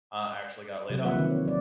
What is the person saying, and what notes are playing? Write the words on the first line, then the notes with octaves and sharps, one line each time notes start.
uh, I actually got laid off,
C3 F#3 G4
D3 F3 A#3 B4 E5 F#5
D#3 C4
C#5
F#3 D5